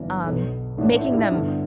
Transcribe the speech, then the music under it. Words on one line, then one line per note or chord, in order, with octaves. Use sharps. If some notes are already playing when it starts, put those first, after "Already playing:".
um, making them
Already playing: G1 G2 E3
B1 B2 B3
A1 A2 A3 D4
E4
D4
G4
E4
G2 D3 B3